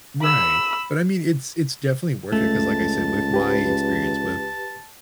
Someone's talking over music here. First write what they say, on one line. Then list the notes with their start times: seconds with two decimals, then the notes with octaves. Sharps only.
Right. But, I mean, it's it's definitely worth it, 'cause, I said, with my experience with,
0.22 B5 E6
2.32 C#2 A3 A5
3.34 G4 B4